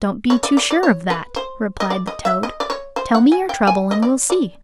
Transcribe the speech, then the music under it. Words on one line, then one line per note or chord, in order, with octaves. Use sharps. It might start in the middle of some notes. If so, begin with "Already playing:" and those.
'Don't be too sure of that,' replied the toad; 'tell me your trouble and we'll see.'
C#5
D5
D5
D5
C#5
B4
C5
D#5
D5
D#5
E5
D#5
D5
C#5
C5
F#5
G#5
G5
G#5
D#5
D5
D5